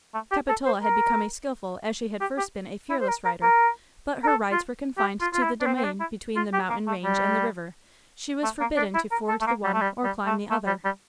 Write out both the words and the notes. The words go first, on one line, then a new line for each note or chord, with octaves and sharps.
Capitola had become a skilful as she had first been a fearless rider. But her rides were confined to the domain between the mountain range and the river; she was forbidden to ford the one or climb the other.
A3
G4
A4
C5
A#4
G4
G4
E4
C5
A#4
A#4
A#4
A#4
A4
F4
G4
F4
F4
E4
D4
C4
C4
D4
E4
F4
G4
A#3
A3
G3
A3
A#3
D4
E4
A#4
A4
A3
A#3
G3
A3
G3
G3
A3
A3
G3
G3